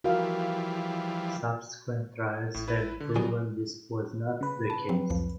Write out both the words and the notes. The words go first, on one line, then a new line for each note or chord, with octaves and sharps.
Subsequent trials have proven this was not the case.
E3 F3 G3 F#4 A#4 F5
A1 A2
E4 B4
D3
B2 F#3 G3 B3 G#4
C#3 B4
A5
F3 F#3 C4
C2 F2 F3